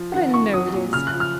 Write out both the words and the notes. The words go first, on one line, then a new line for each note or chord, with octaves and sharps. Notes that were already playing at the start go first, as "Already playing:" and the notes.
But I know it is.
Already playing: F3
D#3 F#5
F2 C#6
F#3 D#6
A#2
C#3 F6
F#6
F3
F6